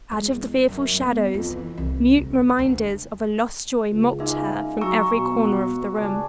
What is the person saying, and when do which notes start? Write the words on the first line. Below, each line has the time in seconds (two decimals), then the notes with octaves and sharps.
Out of the fearful shadows, mute reminders of a lost joy mocked her from every corner of the room.
0.12 G#3
0.27 E2
0.69 F#2
1.00 B3
1.34 F2
1.50 E3
1.77 C2
2.17 D2
2.59 D2
3.91 C#2
4.20 G#3 A#3 D#4 E5
4.81 F#3 A#5 C#6 E6
5.12 B2
5.44 F#4
5.96 C#2 D4 G#5